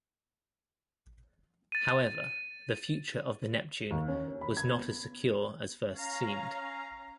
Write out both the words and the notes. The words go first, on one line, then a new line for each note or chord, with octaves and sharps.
However, the future of the Neptune was not as secure as first seemed.
A6 D#7
D#2
C#4
C#5
B5
G#6
B3
C#4 F5 A#5